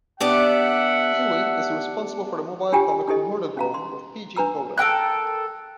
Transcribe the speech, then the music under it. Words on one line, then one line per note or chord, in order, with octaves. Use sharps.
Ewing is responsible for the mobile comic "Murderdrome" with P. J. Holden.
B3 D4 G4 E5 F#5
D4 F4 G4 G5 G#5
D4 E4 G4 A4 D#5
C#4 F5 A#5
C6
D4 B4 A#5 E6
A4 A#4 G5 F#6